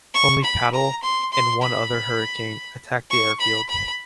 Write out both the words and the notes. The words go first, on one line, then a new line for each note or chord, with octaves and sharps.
Only Pattle and one other Hurricane attacked the airfield.
C#6
B5
A#5
C6
C6
B5
C#6
B5
B5